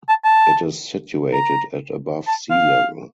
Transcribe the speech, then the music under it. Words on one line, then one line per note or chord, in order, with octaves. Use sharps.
It is situated at above sea level.
A5
A5
A#5
A5
F5